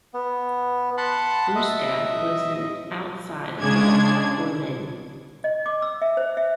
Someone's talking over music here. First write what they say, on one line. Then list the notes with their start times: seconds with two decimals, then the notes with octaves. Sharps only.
Brustad was an outside-left for Lyn.
0.14 B3
0.97 F#5 A5 B5 C6
1.56 D#5 E5
3.60 C#3 G#3 D4 G#6
5.44 D#5
5.66 D6
5.82 E6
6.02 E5
6.17 C5
6.37 E5